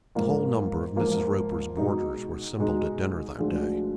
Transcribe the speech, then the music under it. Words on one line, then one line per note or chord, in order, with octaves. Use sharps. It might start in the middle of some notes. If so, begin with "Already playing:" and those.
The whole number of Mrs. Roper's boarders were assembled at dinner that day.
G#2 F3 A#3 F4
G#2 F3 A#3 F4
B2 G#3 D#4
B2 G#3 D#4
D2 D3 F3 G#3